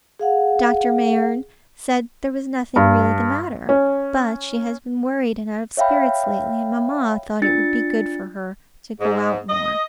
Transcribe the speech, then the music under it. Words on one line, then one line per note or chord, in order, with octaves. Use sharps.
'Dr. Mayerne said there was nothing really the matter: but she has been worried and out of spirits lately; and mamma thought it would be good for her to go out more.'
G#4 F5 F#5
G2
C#4
C#5 E5 F5 G5 B5
D4 F4 A6 C#7
G#2
D#5